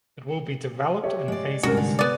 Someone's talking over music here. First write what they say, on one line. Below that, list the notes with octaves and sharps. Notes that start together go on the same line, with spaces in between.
It will be developed in phases.
G4 C#5 E5
G#3 D5
C2 G#2 C3 C#4 F#4 A#4 G#5
D3
B3 D5